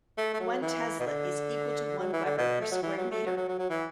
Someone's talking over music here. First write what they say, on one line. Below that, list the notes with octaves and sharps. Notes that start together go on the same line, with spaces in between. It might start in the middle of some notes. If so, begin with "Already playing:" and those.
One tesla is equal to one weber per square metre.
A3
A3
F#3
E3
B2
D3
F#3
E3
D3
B2
A3
F#3
E3
F#3
A3
F#3
F#3
F#3
F#3
E3